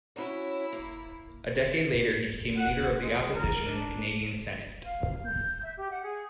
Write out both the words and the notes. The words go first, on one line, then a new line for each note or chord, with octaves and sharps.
A decade later he became Leader of the Opposition in the Canadian Senate.
C#4 E4 F#4 C#5
A#3
F#5
G#3
A#4
D4
F5
G6
E5
G4
F#5
G#4